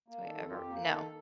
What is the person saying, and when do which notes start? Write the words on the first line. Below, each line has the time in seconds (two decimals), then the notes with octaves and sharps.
Do I ever no.
0.08 A#3
0.24 D#3 A4
0.39 F2
0.50 F4
0.53 F2 G4
0.70 A#3
0.84 D#3 A4